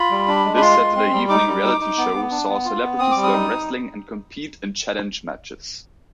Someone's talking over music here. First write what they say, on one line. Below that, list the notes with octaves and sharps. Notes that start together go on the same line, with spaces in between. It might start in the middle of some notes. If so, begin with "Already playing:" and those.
This Saturday evening reality show saw celebrities learn wrestling and compete in challenge matches.
Already playing: F4 B5
G3
D4
G#3
B5
F4 C6
G#3
C4
G3
D#4 D6
G3
D#4
D#4
B3
B3
D4
B3
F4
B3
C4 D#6
G3 D6
D#6
D#4